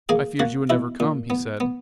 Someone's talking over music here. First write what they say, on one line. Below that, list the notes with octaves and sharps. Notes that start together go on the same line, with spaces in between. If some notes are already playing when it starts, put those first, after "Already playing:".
"I feared you would never come," he said.
A#3 G#4 G#5
A#3 F#4 F#5
B2 E4 E5
A#2
B3
B3